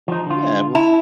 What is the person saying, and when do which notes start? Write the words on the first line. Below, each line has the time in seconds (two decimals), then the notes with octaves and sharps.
Yeah, well
0.08 F3 D#4
0.26 D3 F4
0.75 E4 A5